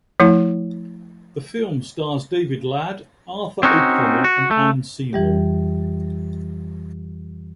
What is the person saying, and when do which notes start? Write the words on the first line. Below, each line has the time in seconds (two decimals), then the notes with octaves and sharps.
The film stars David Ladd, Arthur O'Connell and Anne Seymour.
0.20 F3 A3 E4
3.63 C4 C#4 D#4 F#4
4.24 F#4
4.51 A3
5.13 F2 E3 G3 G4